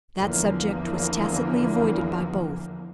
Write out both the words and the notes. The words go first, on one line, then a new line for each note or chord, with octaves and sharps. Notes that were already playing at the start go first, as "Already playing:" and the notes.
That subject was tacitly avoided by both.
E2 D3 E3 F3 A#3